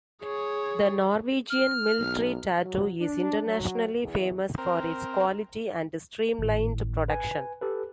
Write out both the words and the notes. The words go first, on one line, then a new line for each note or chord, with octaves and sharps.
The Norwegian Military Tattoo is internationally famous for its quality and streamlined production.
G#4 C#5
F6
B1
F#3
D4
F#3
E2
C4 A#4
G#1 A2
B4 G#5
G4 A4 B4